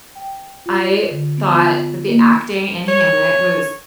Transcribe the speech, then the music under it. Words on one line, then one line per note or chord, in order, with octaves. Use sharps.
I thought that the acting in Hamnet was
G5
F4
D3
B3
F4
A#3
C#5